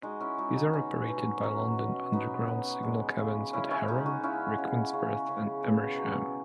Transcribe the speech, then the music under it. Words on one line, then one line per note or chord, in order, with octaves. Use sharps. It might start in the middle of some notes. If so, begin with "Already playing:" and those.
These are operated by London Underground signal cabins at Harrow, Rickmansworth and Amersham.
G#3 D#4 F#4
C#4 E4
G#3 D#4 F#4
D#4 F#4
B2 C#4
B2
F#3 C#4
B2
B2 B3 D#4
F#3
G#3
C#3
C#3 C#4 E4
C#4 E4
G#3 D#4 F#4
D#4 F#4
C#3 C#4 E4
C#3
C#3 C#4
C#3
B2
F#3